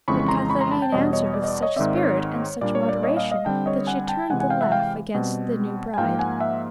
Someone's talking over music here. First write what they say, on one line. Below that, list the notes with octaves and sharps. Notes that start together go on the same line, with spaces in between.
But Katharine answered with such spirit and such moderation, that she turned the laugh against the new bride.
F2 C#3 E3 G#3 C4 B5 C#6
A#5 C6
B5 C#6
A#5 C6
A5 B5
G5 A5
E2 B2 G3 C#5 D#5
C#5 D#5
D5
D#5
D5
C#5 D#5
G#2 D#3 G#3 C4 D5 E5
C#5
A#2 G3 A#3 D4 D5
C#5
D5
C#5 D#5
D#5 F5
D#5 F5
D3 G3 C4 G5 A5
C#5 D#5
F#5 G#5
G5 A5
C3 E3 G#3 F#5 G#5
F#5 G#5
F5 G5
E5 F#5
F5 G5
B2 G3 C4
G#5
G#2 F3 A#3 F5 G5
F#5 G#5
E5 F#5